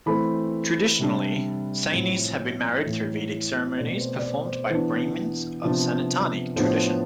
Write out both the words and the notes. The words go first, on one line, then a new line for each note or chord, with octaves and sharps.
Traditionally, Sainis have been married through Vedic ceremonies performed by Brahmins of Sanatani tradition.
E3 A3 C4 B5
C3 G3 D4
A2 F3 C4
A2 E3 A3
B2 A3 C4 D5
B4
C5
D5
C5
C5
C5
E3 B3 D4 B4
C3 F3 B3 D4
A2 F3 B3 D4 C5